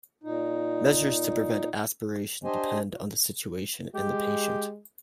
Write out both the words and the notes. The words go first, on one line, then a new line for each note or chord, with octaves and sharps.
Measures to prevent aspiration depend on the situation and the patient.
A#2 D#4
D4 G4 C5 D#5 G#5
G#3 G4